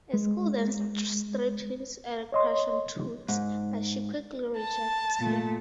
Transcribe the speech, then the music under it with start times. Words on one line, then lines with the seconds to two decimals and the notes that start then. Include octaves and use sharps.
A school-dance strip hints at a crush on Toots, but she quickly rejects him.
0.14 G#3
2.32 C#5 D#5 C6
3.29 G#2
4.58 A5
5.20 A#2 A3